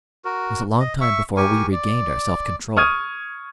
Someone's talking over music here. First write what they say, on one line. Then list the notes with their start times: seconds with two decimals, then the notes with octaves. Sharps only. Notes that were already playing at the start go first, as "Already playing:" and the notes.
It was a long time before we regained our self-control.
0.25 F#4 A#4
0.80 D#5
1.01 E5 C#6
1.37 G4 A#4 G#5 C#6
1.72 D5
2.77 C#6 D#6 F6 G#6 D#7